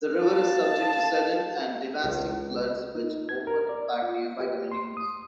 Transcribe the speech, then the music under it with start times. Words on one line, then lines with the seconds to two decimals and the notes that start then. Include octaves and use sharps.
The river is subject to sudden and devastating floods which often impact nearby communities.
0.19 F5 A5
2.04 C#2
2.95 D#4
3.29 G#6
3.47 A#4
3.69 D5
4.02 F4
4.40 G4
4.72 C6
4.97 D#6